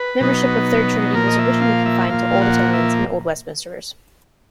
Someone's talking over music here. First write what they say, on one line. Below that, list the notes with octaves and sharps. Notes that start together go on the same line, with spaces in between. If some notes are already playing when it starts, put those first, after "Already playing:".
Membership of Third Trinity was originally confined to Old Etonians and Old Westminsters.
Already playing: B4
B2 F#3 B3 D#4
A#2 F3 A#3 A#4
D#5
E5
F5
E5
E5
A#2 F3 A#3 F5
F#5
E5